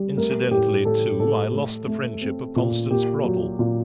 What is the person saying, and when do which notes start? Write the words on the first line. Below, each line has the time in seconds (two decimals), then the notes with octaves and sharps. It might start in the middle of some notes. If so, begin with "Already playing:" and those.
Incidentally, too, I lost the friendship of Constance Broddle.
Already playing: G3
0.17 A3 A#4
0.51 A2 G4
0.85 A2 A4
1.19 A2 A4
1.54 A3
1.88 A3
2.22 C4
2.56 A#2
2.90 A#3 G4
3.24 F#3
3.59 A#2